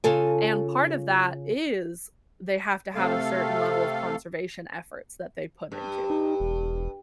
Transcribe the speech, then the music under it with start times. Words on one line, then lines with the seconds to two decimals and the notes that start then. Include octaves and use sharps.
and part of that is they have to have a certain level of conservation efforts that they put into.
0.04 C#3 F4 A4 G#5
2.95 C3 A3 A4 F5
5.72 G2
6.10 D#4
6.40 E1